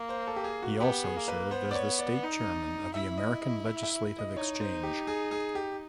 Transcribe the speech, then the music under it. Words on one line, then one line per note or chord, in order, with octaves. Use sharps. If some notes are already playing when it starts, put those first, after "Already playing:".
He also served as the state chairman of the American Legislative Exchange.
Already playing: A#3
C5
A4
G4
G#4
F#4
B3 G4
G#4
A#3
B4
B3 C5
D5
C#5
D5
D#4
E4 E5
D#5
D#5
E5
E5
D#5
D#4 C#5
C5
G4
G#4
G#4
G4